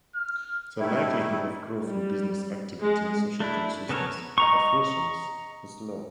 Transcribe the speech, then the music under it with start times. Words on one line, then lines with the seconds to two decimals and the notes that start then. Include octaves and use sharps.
The likelihood of growth in business activity and social consciousness of Russians is low.
0.15 F6
0.77 D#3 G3 A3 E4
1.84 G3
2.80 G#3
3.40 A3 D4 E4
3.89 C#3 B3 A4 A#4 C#5
4.38 D#5 A#5 C#6